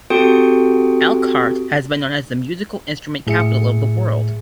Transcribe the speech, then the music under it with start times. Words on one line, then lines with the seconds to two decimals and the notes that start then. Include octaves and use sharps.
Elkhart has been known as "The Musical Instrument Capital of the World".
0.10 C4 F#4 G4 A4 G5 D7
3.27 A2 G#4 E5 C#7